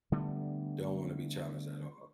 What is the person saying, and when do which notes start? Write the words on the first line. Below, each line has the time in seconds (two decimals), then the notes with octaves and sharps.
Don't wanna be challenged at all.
0.12 D3 G3 A3 B3